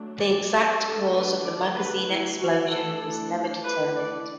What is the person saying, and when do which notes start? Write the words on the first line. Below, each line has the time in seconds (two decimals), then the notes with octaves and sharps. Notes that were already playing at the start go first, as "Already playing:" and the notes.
The exact cause of the magazine explosion was never determined.
Already playing: F#3 A3 D4
0.19 D5
0.81 D3 A3 D4 A4
1.13 B4
1.45 D5
1.75 B4
2.08 E4
2.39 F#4
2.70 E3 A3 D4 A4
3.64 B4
3.96 D5